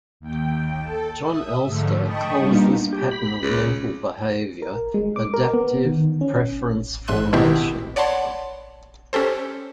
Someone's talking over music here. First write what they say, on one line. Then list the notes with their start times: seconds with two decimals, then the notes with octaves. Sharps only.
Jon Elster calls this pattern of mental behaviour "adaptive preference formation".
0.20 D#2 G5
0.80 A4 A5
1.20 E5 D#6
1.65 G#2 D3 F3 A3
2.04 D#5 G5 A5 B5 C#6 D#6
2.37 G3 A#3 B3 D4 D#4 F4
2.93 G4
3.11 B5
3.42 C#2
4.62 A#4
4.94 G#3
5.16 D6
5.34 A#4
5.54 B3
5.85 D#3
6.21 C#4
7.08 A1 G#2 E5 C6 F#6 D#7
7.33 B2 D#3 B3 C4 E4 G4
7.96 C#5 D5 F#5 A5 B5 C6
9.13 C#4 G4 A4 C5